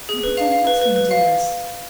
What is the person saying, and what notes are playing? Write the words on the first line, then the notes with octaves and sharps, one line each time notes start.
"You have done nothing, dearest."
G#4
B4
F5 F7
F5
B4
B4
B4
F5